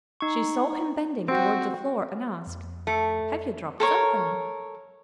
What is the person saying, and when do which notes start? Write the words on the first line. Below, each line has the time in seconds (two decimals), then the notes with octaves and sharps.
She saw him bending toward the floor, and asked, "Have you dropped something?"
0.21 D#4 C#6
1.28 C4 F#4 G5
2.47 F2
2.87 A3
3.80 A4 A#4 C#5 C#6